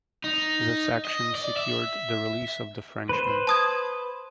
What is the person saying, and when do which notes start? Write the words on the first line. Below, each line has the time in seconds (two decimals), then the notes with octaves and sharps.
This action secured the release of the Frenchmen.
0.24 D#4
1.05 D#5
1.35 D5
1.57 E5
3.09 B4 C5
3.47 A5 D#6 G#6